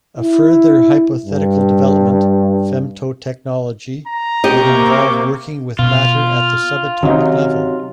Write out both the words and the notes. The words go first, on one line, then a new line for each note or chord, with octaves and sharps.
A further hypothetical development, femtotechnology, would involve working with matter at the subatomic level.
E4
G2
A#5
C3 A#3 G4 D#5 C#6 D6 G6
B2 F4
C3 D#3 F#3 C#4 D#4